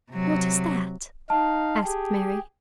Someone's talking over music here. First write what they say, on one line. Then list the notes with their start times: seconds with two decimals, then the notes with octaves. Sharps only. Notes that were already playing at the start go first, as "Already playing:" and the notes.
"What is that?" asked Mary.
0.11 C3 F#3
1.30 D#4 F5 A5
1.84 G4 G#4